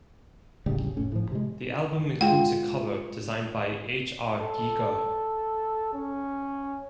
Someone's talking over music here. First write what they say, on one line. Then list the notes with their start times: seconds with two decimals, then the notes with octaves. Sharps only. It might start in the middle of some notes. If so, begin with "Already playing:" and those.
The album includes a cover designed by H. R. Giger.
0.66 D1 A1 C#3 G3
0.97 F1 A2 C#4
1.12 A2 F3
1.32 C3 G#3
2.21 G#3 F4 F#5 G5
4.38 A4
5.94 C#4